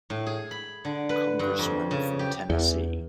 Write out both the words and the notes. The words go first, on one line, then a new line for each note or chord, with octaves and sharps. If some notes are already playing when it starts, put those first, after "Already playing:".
Congressman from Tennessee.
A2
G#4
B5
D3
B4
G2
F2
C#3
G4
E2